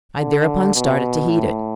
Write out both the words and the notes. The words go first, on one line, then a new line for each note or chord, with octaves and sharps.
I thereupon started to heat it.
D3
B2
A2